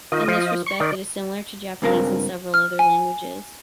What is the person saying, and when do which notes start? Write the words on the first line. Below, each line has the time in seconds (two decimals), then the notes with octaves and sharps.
In this respect it is similar to Japanese and several other languages.
0.12 D#3 F4 D#5
0.28 F3
0.67 C#6
0.80 D#3 D5
1.82 C#2 G2 C4 A#4 F5
2.54 F6
2.79 G#5